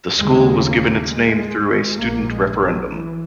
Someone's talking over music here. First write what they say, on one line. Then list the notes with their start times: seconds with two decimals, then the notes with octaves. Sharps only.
The school was given its name through a student referendum.
0.18 D#2 C#3 G#3
0.64 A#3
1.09 G#3
1.99 A#1 A#2 A#3
2.29 G#3
2.60 F#3
2.90 E3